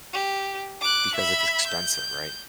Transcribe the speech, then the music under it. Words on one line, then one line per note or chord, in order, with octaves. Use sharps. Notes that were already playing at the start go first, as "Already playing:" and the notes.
Because it's expensive, right?
G4
D6 F#6
E5 B5
G6